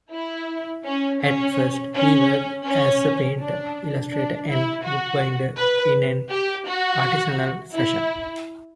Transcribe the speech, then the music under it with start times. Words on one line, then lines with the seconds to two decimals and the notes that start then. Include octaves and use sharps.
At first, he worked as a painter, illustrator and bookbinder in an artisanal fashion.
0.13 E4
0.86 C#4
1.22 C#4
1.95 C#4
2.67 C#4
3.40 D4
4.12 D4
4.49 E4
4.85 F#4
5.57 B4
6.30 G4
6.67 F#4
7.75 E4